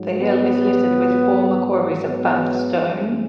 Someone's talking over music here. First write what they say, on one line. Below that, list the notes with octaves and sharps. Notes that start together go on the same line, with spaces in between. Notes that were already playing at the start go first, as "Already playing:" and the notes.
The hill is littered with former quarries of Bath Stone.
Already playing: G#2 F#3
B3
B3
F#2 E3 G#3